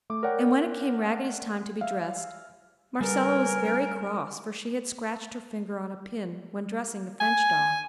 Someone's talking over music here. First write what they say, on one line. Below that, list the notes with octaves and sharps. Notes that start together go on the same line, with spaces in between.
And when it came Raggedy's time to be dressed, Marcella was very cross for she had scratched her finger on a pin when dressing the French doll.
A3 D6
A#4 C#5 D5 F#5 G5
E5 F5
C#3 G3 B3 A#4 G#5
G#5